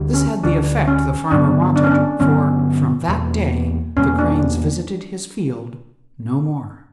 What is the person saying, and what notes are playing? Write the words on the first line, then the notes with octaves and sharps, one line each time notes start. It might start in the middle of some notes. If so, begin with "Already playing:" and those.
This had the effect the Farmer wanted, for from that day the Cranes visited his field no more.
Already playing: D2 D3 G3
C#4
D2 D3 G3 D4
C#4
G2 D3 F#3 B3 D4
D4
C#4
D4
G2 D3 F#3 B3 C#4
E2 B2 G3 A#3
E2 B2 G3 A#3 C#4
D4